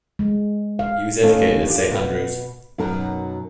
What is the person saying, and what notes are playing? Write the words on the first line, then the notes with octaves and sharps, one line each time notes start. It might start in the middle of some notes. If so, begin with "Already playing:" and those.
He was educated at Saint Andrews.
G#3
F5
D#2 A3 C#4 D#4 F5
D4 F4 G4
B2 B4
F#2 B2 F#3 D#4 A#4